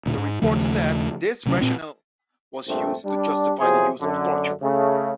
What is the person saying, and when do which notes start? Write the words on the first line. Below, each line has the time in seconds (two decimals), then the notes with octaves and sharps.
The report said this rationale was used to justify the use of torture.
0.06 D2 A#2 A#3
0.17 G#2
0.42 D#2 C#3 F3 A3
1.46 D2 C3 F#3 C#4
1.61 A#2 C4
2.68 A#1 G2 A3 C4
3.05 G3 D4
3.60 E2 C3 F3 F#3 G#4 C5
4.01 F#2 D3
4.62 C#3 A3